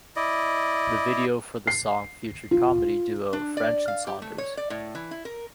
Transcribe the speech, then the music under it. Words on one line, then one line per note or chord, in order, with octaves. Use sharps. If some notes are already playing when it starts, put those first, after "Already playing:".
The video for the song featured comedy duo French and Saunders.
E4 D5 D#5
C7
F4
D4
D5
F5
G4
A3
C#5
D5
A2
E3
E4
A#4